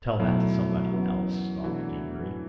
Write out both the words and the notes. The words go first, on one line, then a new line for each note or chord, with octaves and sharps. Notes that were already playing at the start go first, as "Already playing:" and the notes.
"Tell that to somebody else," scoffed Amory.
B1 B2 F#3 A3 E4
F#2 E3 B3 F#4
B2 E3 A3 D4 F#4 A4